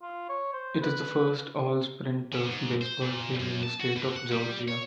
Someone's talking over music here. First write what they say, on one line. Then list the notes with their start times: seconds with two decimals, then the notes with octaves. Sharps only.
It is the first all sprint turf baseball field in the state of Georgia.
0.02 F4
0.29 C#5
0.53 C5
0.82 B4
2.33 C#3
2.48 G#2
2.81 C5
3.01 A#2
3.40 F#2
3.63 A5
3.80 F#4
3.96 B2
4.16 F#5
4.32 G3
4.68 C#5